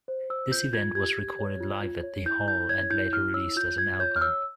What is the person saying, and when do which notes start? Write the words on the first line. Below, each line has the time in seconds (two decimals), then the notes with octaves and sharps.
This event was recorded live at the hall, and later released as an album.
0.08 C5
0.30 C5 E6
0.52 F4 G6
0.73 F4 G#6
0.95 G4 G#6
1.17 G4
1.39 C#5
1.60 F4
1.83 F4
2.03 C#5
2.26 E4 G6
2.48 E4 G6
2.69 C#5 G#6
2.90 E4 G6
3.13 E4 F6
3.34 C#5 E6
3.56 F4 G6
3.78 F4 G#6
3.99 C#5 G6
4.16 F6
4.21 C#5 E6